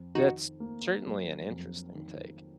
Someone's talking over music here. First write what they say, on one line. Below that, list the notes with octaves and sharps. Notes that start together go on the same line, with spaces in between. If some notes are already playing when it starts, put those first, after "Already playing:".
That's, certainly an interesting take.
Already playing: F2
D#3 D#4 F#4
A#3
F#3
F2
D#3